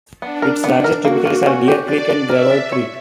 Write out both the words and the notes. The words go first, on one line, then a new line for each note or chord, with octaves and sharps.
Its largest tributaries are Deer Creek and Gravois Creek.
B3 D4
A#4
B3
A#4
A#3 F#4
A#3
C#4
G4
D4 D5
D4
A#4 E5
D4
C#5